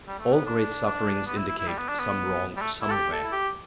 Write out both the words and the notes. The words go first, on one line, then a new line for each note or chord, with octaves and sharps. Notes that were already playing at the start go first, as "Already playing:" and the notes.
All great sufferings indicate some wrong somewhere.
G3
A3
B3
D4
D4
B3
E4
E4
E4
G3
B3
D4
B3
G3
A3
E4
A4
G4
A4
E4
G4